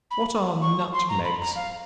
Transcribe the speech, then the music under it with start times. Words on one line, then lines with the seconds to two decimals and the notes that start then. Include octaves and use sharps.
What are Nutmegs?
0.11 B5
0.62 C#6
0.93 C6
1.09 A#5
1.24 B5
1.40 A#5
1.56 F5